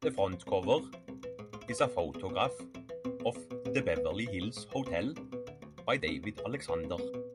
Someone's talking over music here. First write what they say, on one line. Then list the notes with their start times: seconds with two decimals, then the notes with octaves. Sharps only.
The front cover is a photograph of the Beverly Hills Hotel by David Alexander.
0.02 C3 D4
0.18 C2
0.32 F3
0.47 C2
0.63 C3
0.78 C2
0.93 F3 E4
1.08 C2
1.23 E3 E4
1.39 G#2
1.53 G#2 F4
1.62 E4
1.68 E3 F4
1.78 G#4
1.84 B2 A4
1.99 E2
2.14 E2 G#4
2.29 B2
2.45 E3 F4
2.60 F2
2.75 F2 E4
2.89 E3
3.05 B2 C4
3.20 E2
3.35 E2
3.51 B2
3.65 C3 B3
3.80 C2
3.96 E3 B3
4.11 C2
4.26 E3
4.42 G#2
4.57 G#2
4.72 E3
4.86 B2 C4
5.02 C2
5.16 C2 D4
5.32 B2
5.47 D3 E4
5.62 D2
5.78 F3
5.93 D2
6.08 C3 A4
6.24 D2
6.38 E3 G#4
6.53 D2
6.68 B2 B3
6.84 C2
6.98 C2 B3
7.14 B2